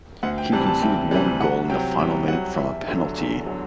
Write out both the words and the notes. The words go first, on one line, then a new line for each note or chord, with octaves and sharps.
He conceded one goal in the final minute from a penalty.
D2 F#5
G5
C3 E3 G3 A5
A5
D2 G5
C3 E3 G3
C2 F#5
C3 F#3 G5
C2 G5
C3 F#3 F#5
E2 E5
D3 F#3
E2
D3 F#3